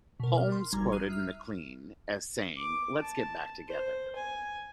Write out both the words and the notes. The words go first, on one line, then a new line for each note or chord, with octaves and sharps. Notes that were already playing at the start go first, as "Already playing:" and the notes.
Holmes quotes McLean as saying, Let's get back together.
B2 A#4
F6
C6
G#1 G3 A#5 G#6
D#6 F6 F#6 C7 D#7
E5 F6
D6
A5
C5
G#5